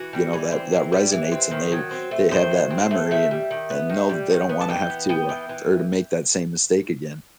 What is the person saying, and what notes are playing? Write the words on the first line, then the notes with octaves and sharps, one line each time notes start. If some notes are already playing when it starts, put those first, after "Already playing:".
you know, that that resonates and they they have that memory and and know they don't wanna have to, uh, or to make that same mistake again.
Already playing: E3 F#4
G3
E3
C4
E3
G3
E3
C4
D#3
F#3
C4
A3
D#3 C5
F#3
C4
A3
D#3 E5
G3
D#3
B3
D#3
G3
D#3
B3
A5
E3 G5
B3
B3 G5
E3
E3